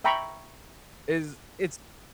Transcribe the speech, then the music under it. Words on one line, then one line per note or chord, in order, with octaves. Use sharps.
Is it's
E5 G5 A#5 B5 C#6